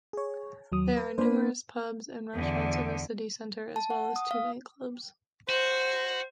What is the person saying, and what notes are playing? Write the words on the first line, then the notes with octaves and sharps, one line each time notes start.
There are numerous pubs and restaurants in the city center, as well as two nightclubs.
G#4 C#5
D#2 F#3 D#6
B4
A#3 D4 B4 C5 B5
E2 D3
A5
F#5
D#6
F5
F#4 C5